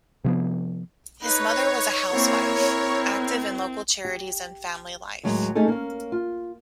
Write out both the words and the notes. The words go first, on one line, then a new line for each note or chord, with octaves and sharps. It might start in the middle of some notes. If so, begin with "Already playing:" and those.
His mother was a housewife, active in local charities and family life.
C3 F3 B3
D#4 B4 C#5
A#3 C4 E4 A#4
C4
G4
D#2 A2 F#3 G#3
A3 C#4 D#4 G#4 A4
A#3 C#4
F4